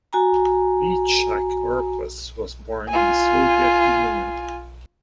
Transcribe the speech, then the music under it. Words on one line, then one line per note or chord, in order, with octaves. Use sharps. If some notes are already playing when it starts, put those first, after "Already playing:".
Yitshak Orpaz was born in the Soviet Union.
F#4 G#5 A#5
F4 G#5